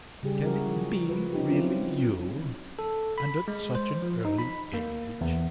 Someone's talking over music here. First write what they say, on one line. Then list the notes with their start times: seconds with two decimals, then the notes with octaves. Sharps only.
Can it be really you ... and at such an early age?
0.23 C#3 G3 G4 G#4
0.43 E4 F#4 G#4 A#4
0.67 F3
1.09 F3 B4
1.33 C#4 D#4 G4
1.49 F#3 C4 C#4 E4 F4
2.79 A4
3.18 B5
3.48 G#3
3.75 C5
4.02 F3
4.25 D#4
4.39 B5
4.74 A#3
5.21 E2